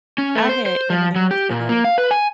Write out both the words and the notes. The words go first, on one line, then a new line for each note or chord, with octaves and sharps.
I had M&M's today.
C#4
A3
C5
C5
F3
F#3
G4
A#2
A#3
F5
B4
G#5